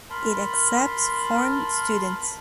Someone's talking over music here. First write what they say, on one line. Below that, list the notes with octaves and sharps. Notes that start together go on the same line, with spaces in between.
It accepts foreign students.
A#4 A5 B5 C6